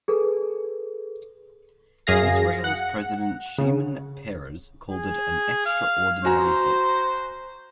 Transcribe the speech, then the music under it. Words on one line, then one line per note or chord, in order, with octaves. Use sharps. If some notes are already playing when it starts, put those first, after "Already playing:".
Israel's president Shimon Peres called it "an extraordinary book".
G#4 A4 B4
F#2 G#4 F5 A#6
F#5
C#3
G#4
F5
F#4 C5 G#5 A#5